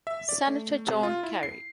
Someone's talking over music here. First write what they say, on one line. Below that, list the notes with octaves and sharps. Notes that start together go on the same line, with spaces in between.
Senator John Kerry.
E5
D5
A3
C3
F4
E4
C7